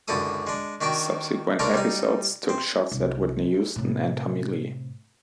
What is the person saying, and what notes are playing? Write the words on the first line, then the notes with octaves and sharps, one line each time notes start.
Subsequent episodes took shots at Whitney Houston and Tommy Lee.
C#2 F#2 D3 E4 A4 D#6
G#3 D4
D#3 D4 F#4 G5
C#3 G#3 D4 A4 A#4
G3 D#4
C4
C2
A2 C3